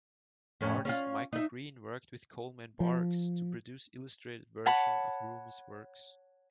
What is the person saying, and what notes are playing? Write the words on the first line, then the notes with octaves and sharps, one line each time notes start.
Artist Michael Green worked with Coleman Barks to produce illustrated version of Rumi's works.
F2 A2 C#4
C#4 F4 F5
D#4 E5
F3
C#5 F#5 A5 B5